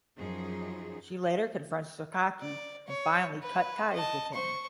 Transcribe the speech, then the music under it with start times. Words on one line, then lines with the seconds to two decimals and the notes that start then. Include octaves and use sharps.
She later confronts Sakaki and finally cut ties with him.
0.18 F#2 F3 D#4 G#4
2.41 D5
2.87 C#5
3.43 B4
3.93 D#5 A5
4.33 C5 C#6